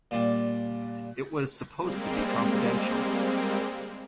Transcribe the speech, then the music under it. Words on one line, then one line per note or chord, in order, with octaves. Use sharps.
It was supposed to be confidential.
A#2 G3 D4
G3 G#3 A#3 C4